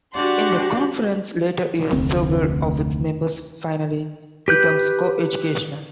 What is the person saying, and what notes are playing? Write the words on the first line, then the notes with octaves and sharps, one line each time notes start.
In the conference's later years, several of its members finally became co-educational.
D4 F#4 G4 D5 F#5 C6
F1 D2 A3 C4
G4 B4 G6